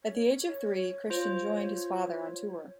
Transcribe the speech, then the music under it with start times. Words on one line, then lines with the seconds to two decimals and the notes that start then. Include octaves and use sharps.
At the age of three, Christian joined his father on tour.
0.03 C#5
1.10 F4 C5